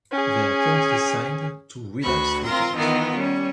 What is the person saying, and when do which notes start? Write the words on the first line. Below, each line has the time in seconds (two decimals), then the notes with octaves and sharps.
They are currently signed to Relapse Records.
0.11 C#4 G#4
2.01 D2 F#4 B5 C#6
2.44 C4 F4 A#4 A#5 C6
2.75 D#3 E3 B3 D#4 F4 A#4
3.16 G3 C#4